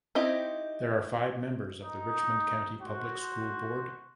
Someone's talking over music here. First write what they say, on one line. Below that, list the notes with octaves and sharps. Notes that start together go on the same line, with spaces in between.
There are five members of the Richmond County Public School board.
C4 D#4 E4 G4 D#5
D#4
F#4 C5